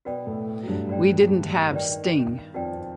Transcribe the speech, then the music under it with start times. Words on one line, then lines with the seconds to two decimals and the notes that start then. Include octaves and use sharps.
We didn't have Sting.
0.05 B2 B3 F#4 B4 D5 G5
0.26 A2 A3
0.63 F#3
0.67 G2 G3
0.89 F#4 B4 D5 G5
1.71 D#3 F#4 B4 D5 G5
2.54 F2 F3 F#4 B4 D5 G5